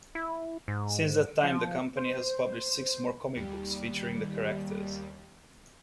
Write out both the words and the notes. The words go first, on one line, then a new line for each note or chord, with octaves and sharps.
Since that time the company has published six more comic books featuring the characters.
E4
G#2
F3
C5
D#2 G3